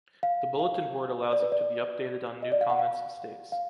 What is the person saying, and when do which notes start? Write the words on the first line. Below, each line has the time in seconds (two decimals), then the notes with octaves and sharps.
The bulletin board allows you to be updated on new comments and states.
0.23 F5
0.59 F5
1.33 D5
1.42 B4
1.52 D5
2.42 D#5
2.52 D5
2.61 F5
2.70 F#5
2.79 F5
3.52 F5